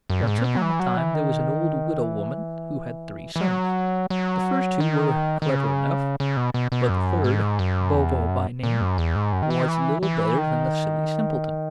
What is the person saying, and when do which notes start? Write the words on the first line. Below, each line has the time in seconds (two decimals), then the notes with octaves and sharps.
Once upon a time there was an old widow woman who had three sons: the first two were clever enough, but the third, Bobo by name, was little better than a silly simpleton.
0.10 F#2
0.22 A#2
0.27 G#2
0.38 A#2
0.44 B2
0.57 F#3
0.62 E3
0.79 F#3
0.97 E3
1.14 D#3
2.02 E3
3.36 E3
3.41 F#3
4.10 F#3
4.80 D#3
5.42 D#3
5.50 C#3
6.20 C#3
6.37 B2
6.54 B2
6.72 B2
6.89 F#2
7.24 G#2
7.59 F#2
7.94 E2
8.29 F#2
8.63 A#2
8.81 F#2
8.98 E2
9.15 G#2
9.33 F#2
9.42 D#3
9.50 E3
9.62 D#3
9.68 E3
10.03 E3
10.38 D#3